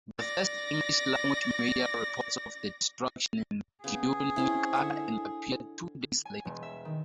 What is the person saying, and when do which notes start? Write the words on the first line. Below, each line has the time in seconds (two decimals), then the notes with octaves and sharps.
The first English-language media reports of the destruction in Guernica appeared two days later.
0.18 D5 A#6
3.84 C#3 B3 G#4
4.36 C4 C#4 E4
4.74 D3 E5 C#6
6.25 G#5
6.45 E1
6.63 E5
6.85 D#3